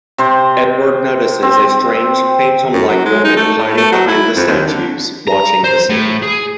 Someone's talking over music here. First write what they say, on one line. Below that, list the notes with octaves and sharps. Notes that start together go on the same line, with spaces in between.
Edward notices a strange phantom-like woman hiding behind the statues watching the scene.
C3 C5
C4
F#2
F#3
G#3
D#4
A3
A2
A3
F#3
E4
F2
D#2
D3
A#5
C5
A2
G#4